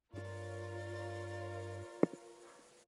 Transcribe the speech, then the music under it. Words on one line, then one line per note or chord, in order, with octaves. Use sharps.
The film received a mixed response from critics.
G2 F4 A#4 C#5 D5